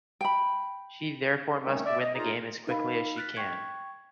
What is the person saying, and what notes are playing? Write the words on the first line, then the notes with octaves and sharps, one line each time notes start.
She therefore must win the game as quickly as she can.
G5 B5
D#3 G3 A3 C4 C#4
D5 E5
D#5
F#2 D#4 F4 G#4 A#5
D#4 A#4 F5 B5
F6 F#6 A6 B6
G5 C#6 G#6